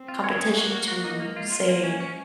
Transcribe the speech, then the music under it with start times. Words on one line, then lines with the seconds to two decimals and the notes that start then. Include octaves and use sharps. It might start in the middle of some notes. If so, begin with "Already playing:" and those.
competition to say,
Already playing: C4
0.08 F4
0.24 C#5
0.40 G#4
0.56 A#3 F#4
0.72 F#4
0.88 F#4
1.04 D#4
1.20 G#3 A#3
1.36 F4
1.52 F4
1.69 A#3
1.84 C#4
2.00 C#4